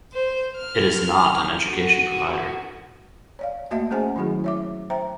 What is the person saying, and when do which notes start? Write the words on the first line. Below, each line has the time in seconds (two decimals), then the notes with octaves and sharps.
It is not an education provider.
0.13 C5
0.57 F6
1.67 F#4
3.39 C#5 D5 F5
3.71 A3 A#3 F#4 D#5 E5 A5
3.91 A3 C#4 G#4 C5 F#5 G#5
4.16 D#3 F#3 E4 F#4 G#4
4.44 C#5 E5 D6
4.90 C5 E5 G5 A#5